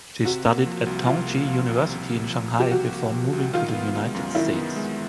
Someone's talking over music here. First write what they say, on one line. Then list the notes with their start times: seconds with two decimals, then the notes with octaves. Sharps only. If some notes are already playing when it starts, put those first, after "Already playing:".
She studied at Tongji University in Shanghai before moving to the United States.
0.25 C3 F#4
0.45 A#3
0.66 F3
0.86 C2
1.07 C3 F4
1.27 A#3
1.48 F3
1.68 C2
1.89 C3
2.10 A#3
2.30 F3
2.51 C2
2.60 G4
2.71 C3 F#4
2.91 A#3
3.12 F3
3.33 C2
3.53 D#3 F4
3.73 B3
3.94 G#3
4.15 F#2
4.35 D#3 E4
4.56 B3
4.76 G#3